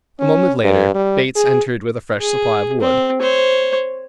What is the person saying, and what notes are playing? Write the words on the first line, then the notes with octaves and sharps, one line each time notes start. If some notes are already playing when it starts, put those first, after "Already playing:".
A moment later Bates entered with a fresh supply of wood.
C#4
G2
G3
G#4
G#4
C4
C5 C#5